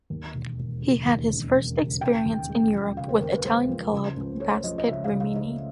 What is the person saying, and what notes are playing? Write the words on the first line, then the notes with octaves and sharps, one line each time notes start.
He had his first experience in Europe with Italian club Basket Rimini.
D#2
E1
E1
C#3
D#2
E1
E1
C#3
C#3 G5
D#2
G#3
F3
C#3 F5
C5
D#2 A#4
B4
G#3 C5
F3
C#3
C#2
A3 C#5
F3 D#5
D#5
C#3 E5
F5
C#2
F5
A3 D#5